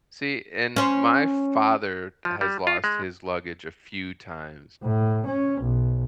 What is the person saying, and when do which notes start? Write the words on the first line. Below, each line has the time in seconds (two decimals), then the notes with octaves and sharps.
See? And my father has lost his luggage a few times,
0.76 C#4 C5
2.25 F3
2.41 G3
2.67 F4
2.84 G#3
4.83 A2
5.26 C#4
5.61 B1